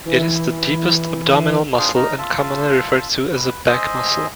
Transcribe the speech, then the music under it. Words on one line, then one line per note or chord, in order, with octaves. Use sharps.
It is the deepest abdominal muscle and commonly referred to as a back muscle.
E3 E4
D4 F4 G#4 C5
D#4 A#4 A#5
F4 E5 A5
B4
C5 D#5 E5 G#5